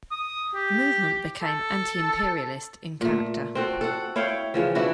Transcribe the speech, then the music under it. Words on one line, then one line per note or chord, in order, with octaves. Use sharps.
The movement became anti-imperialist in character.
D#6
G4
A4
A#2 A3
C4 F#4 A4
A4 F#5
E4 C#5 F5 G5
C#3 E3 F3
E3 D4 E4 F#4